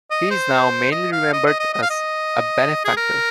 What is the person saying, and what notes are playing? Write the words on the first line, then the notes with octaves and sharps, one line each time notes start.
He is now mainly remembered as a benefactor.
D#5
C5
D#5
F5
D#5
D#5
D#5
D#5
F5
D#5
G#4
A#4